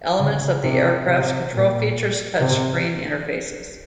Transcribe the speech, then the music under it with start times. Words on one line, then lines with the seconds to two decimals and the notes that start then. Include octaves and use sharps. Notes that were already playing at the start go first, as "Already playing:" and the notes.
Elements of the aircraft's controls feature touchscreen interfaces.
0.19 C#3
0.63 C3
1.07 C3
1.52 A#2
2.40 C3